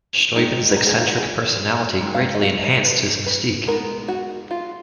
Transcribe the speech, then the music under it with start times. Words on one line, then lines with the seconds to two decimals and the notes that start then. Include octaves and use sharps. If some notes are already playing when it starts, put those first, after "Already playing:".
Steuben's eccentric personality greatly enhanced his mystique.
0.35 D#3 G#3 D#4
0.72 B4
0.76 A#4
0.87 G#4
0.98 F4
1.08 F#4
1.18 G#4
2.01 D#3 G#3
2.15 F5
2.35 D#5
2.43 F5
2.64 D#5
2.85 B4
3.26 B4
3.67 G#3 B3 D#4 A#4
4.08 F#4
4.51 F4